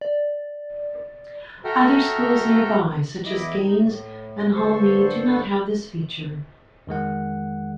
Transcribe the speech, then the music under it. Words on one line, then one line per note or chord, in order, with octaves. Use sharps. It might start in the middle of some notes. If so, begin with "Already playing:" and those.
Other schools nearby, such as Gaynes and Hall Mead do not have this feature.
D5
F#4 A4 E5 G5 A#5 F6
E2 E4 D#5 D6
D#4
A2
G2 D3 A4 C5 C#6
F2 D#3 G#3 F#5